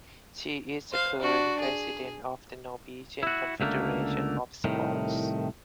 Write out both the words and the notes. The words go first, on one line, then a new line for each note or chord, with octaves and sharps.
She is the current president of the Norwegian Confederation of Sports.
C5 F5
D4 F#4
G#4
E4 F#4
C#2 D3 A3 A#3
C2 A2 D#3